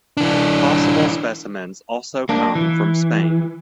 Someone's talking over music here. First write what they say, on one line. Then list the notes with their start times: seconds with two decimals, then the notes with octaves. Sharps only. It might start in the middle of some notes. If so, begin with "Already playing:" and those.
Possible specimens also come from Spain.
0.17 E3 D4
2.29 A#3 D4
2.55 E3